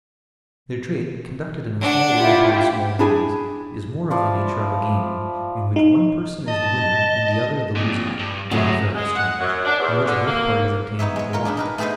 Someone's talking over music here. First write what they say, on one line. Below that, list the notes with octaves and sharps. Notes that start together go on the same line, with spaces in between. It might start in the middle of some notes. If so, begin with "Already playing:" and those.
Their trade, conducted in a small way upon small means, is more of the nature of a game, in which one person is the winner and the other the loser, than a fair exchange, in which both parties obtain what they want.
D4 F#5
E4 F4 G4
D4 E4 G#4 G#5
F3 E4 D5
D#4
D#5 A5
F2 A#2
G2
F#2 A2 C#3 G#3
G#3
F#5
F#2
D4
E2
D3
A#3
B3 D#4 C#5 E5
G#3 C#5
F4 A#4 C#5
D4 F#4 G#4 B4
D#4 A#4 B4
A3 B3 G#4 B4 C5 D#5